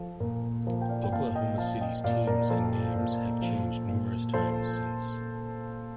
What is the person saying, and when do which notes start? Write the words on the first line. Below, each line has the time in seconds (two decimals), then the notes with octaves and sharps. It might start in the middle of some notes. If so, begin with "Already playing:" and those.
Oklahoma City's teams and names have changed numerous times since.
Already playing: F3 A4
0.20 A#2 A#4
0.67 F3 A#4
0.81 G5
0.89 D5 F5
1.03 G5
1.13 A#2 F5 A5
1.35 D#5 G5
1.58 F3 F5 A5
1.81 D#5 G5
2.04 A#2 D5 F5
2.27 A#4 D5
2.50 F3 A4 C5
2.96 A#2
3.42 F3
3.88 A#2
4.34 F3 A4 C5